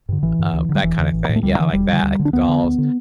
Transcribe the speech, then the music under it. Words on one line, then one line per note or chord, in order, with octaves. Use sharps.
uh, that kinda thing. Yeah, like, that, like, the dolls,
G2 D3
A1 E3
G2 D3
D2
D3
G3
E1 E3
E2 D3
A1
A2
A3
D2 G3
D3 E3
E1 G3
D2
D3
D2
D3
D4
D2 B3
D3
D2
D3